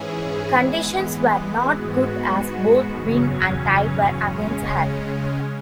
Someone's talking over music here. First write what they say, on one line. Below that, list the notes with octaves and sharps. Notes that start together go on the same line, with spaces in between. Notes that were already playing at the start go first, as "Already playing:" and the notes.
Conditions were not good as both wind and tide were against her.
Already playing: G#2 E3 C#4 E4 G#4
E3 G#3 B3
G#2 G#3 B3 F#4
E2 C#3 F#3 C#4
C#3 G#3 C#4